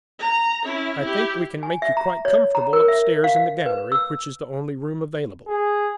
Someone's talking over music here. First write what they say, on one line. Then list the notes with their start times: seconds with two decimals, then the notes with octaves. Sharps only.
I think we can make you quite comfortable upstairs in the gallery, which is the only room available.
0.19 A#5
0.64 C#4 E4
1.01 E4 G4
1.63 G#5
1.82 E5
1.97 A#5
2.25 C#5
2.55 A#5
2.73 A#4
2.88 E5
3.24 F5
3.36 F5
3.66 B4
3.92 E6
5.48 G#4